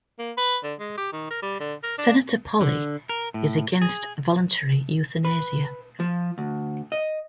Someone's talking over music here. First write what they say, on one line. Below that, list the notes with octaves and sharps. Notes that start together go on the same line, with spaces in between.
Senator Polley is against voluntary euthanasia.
A#3
B4
D3
G#3
G4
D#3
A#4
G3
D3
A#4
D4
D3
A#4
A2
G#4
B4
F3
D2
D#5